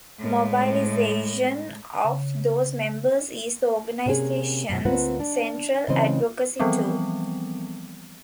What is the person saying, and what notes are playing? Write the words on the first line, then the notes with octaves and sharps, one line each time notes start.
Mobilization of those members is the organization's central advocacy tool.
A2 G#3
C#3
C3 A#3 C#4 E4 G#4
F#2 B2
D2 A#3 C4 F4 B4 F#5
D4
C#3 E3 C4 C#4 C5 D#5
E3 F3 G3 B3 C4